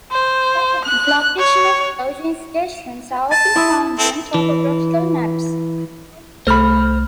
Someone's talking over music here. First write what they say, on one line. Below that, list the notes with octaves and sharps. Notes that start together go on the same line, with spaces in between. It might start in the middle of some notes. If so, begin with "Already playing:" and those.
The location of gauging stations are often found on topographical maps.
C5
F#6
C#5
A5 A6 D#7
E4 C6 D#6 E6
C4 E4 A4
E3
C2 A3 C5 B5 F6